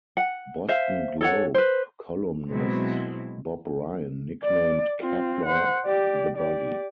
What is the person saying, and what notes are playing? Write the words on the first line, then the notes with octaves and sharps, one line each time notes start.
Boston Globe columnist Bob Ryan nicknamed Kapler The Body.
F#5
C5 E5 F5
A4 C#5 F#5
B4 C5
B2 F#3 G#3 C4 E4
D5
C4 F4
C5 F#5
G4 D5
G4 D5